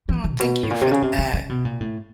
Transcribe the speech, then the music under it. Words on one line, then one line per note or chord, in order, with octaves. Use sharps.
Oh, thank you for that,
E3
E3
A#2
B2
A2
A#2
C3
C#3
C3
C#3
C#3
B2
A#2
A2